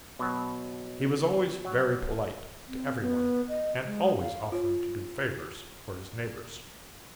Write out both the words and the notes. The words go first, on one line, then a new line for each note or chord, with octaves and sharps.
He was always very polite to every one and always offering to do favors for his neighbors.
B2 F#3
F#3
C4
B3
D#5
G#3
F5
F4 C#5